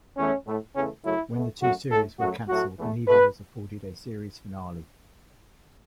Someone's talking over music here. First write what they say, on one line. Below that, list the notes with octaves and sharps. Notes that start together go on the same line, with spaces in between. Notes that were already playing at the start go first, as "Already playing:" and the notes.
When the two series were canceled, neither was afforded a series finale.
E2 E3 A3 C#4
A2 A3
E2 C#3 E3 A3 C#4
F#2 C#3 F#3 A3 E4
B2 A3
F#2 F#3 A3 F#4
A2 A3 A4
F#2 F#3 A3 F#4
A2 F#3 A3 F#4
E2 E3 A3
B2 A3 B4